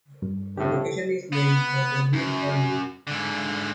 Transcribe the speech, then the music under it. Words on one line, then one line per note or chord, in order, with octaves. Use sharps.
The location is named for the Guilford Mill.
G2
C2 F2 A2 G4 A4
B3
F#2
G#2 D3